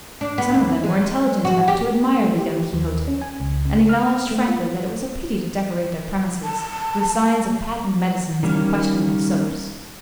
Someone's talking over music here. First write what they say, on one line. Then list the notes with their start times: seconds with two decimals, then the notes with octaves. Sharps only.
Some of them were intelligent enough to admire the young Quixote, and acknowledged frankly that it was a pity to decorate their premises with signs of patent medicines and questionable soaps.
0.21 D4
0.38 B3
0.54 D#2
0.84 G#3
1.45 F#4
1.68 G4
2.22 A3
2.38 G4
2.73 D#2
3.08 C#4
3.21 G#5
3.40 C#2
3.65 C#3
3.89 F6
4.31 A3
4.48 F4
6.44 A5
8.43 D#3 G3 A#3 C#4